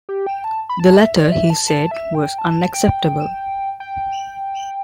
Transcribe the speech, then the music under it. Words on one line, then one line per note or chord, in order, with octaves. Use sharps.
The latter, he said, was unacceptable.
G4
G5
A5
B5
A5
E5
D5
E5
A5
A5
E5
G5
A5
G5
G5